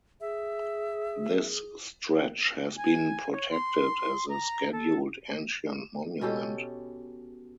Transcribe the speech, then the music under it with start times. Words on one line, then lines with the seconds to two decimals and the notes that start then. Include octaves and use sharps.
This stretch has been protected as a scheduled ancient monument.
0.21 G#4 E5
2.77 G#5
3.32 C#5
3.51 C6
4.29 A#5
4.72 A4
6.21 B2 C#4 G4 A4